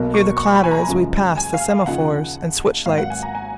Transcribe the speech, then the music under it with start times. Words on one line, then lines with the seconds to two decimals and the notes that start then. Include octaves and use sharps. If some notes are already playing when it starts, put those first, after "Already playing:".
Hear the clatter as we pass the semaphores and switch lights!
Already playing: B1 B2 F#3 A#3
0.14 C#6
0.38 C#6
0.55 B5
0.64 G#5
0.71 A#5
0.88 F#2 C#3 F3 G#3
1.37 G#5
1.54 F5
1.70 F5
1.86 D#2 C#3 F3 A#3 D#4 F#5
2.86 G#1 G#2 F#3 A#3 F5
2.98 F#5
3.10 G#5
3.22 A#5
3.35 G#5